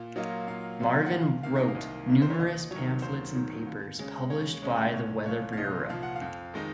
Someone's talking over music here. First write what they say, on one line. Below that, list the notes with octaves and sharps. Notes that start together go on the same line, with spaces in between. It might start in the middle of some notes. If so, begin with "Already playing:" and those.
Marvin wrote numerous pamphlets and papers published by the Weather Bureau.
Already playing: A#2
F#3 A#3 F4 D#5
A#2 F5
F#3 A#3 F4
F#5
C2 F5
C3 D#3 A#3 F5
D#5
F5
C2
C3 D#3 A#3
C5
C#5
D#2 D#5
D#3 F#3 C#5
D#2 C5
D#3 F#3
D#2
C#3 G#3 C#4
D#2 C#5
C#3 G#3 C#4
C2 C#5
A#2 F3 C#5
F5
C2 D#5
A#2 F3 F5
F#5
F5
F2
D#3 G#3 D#4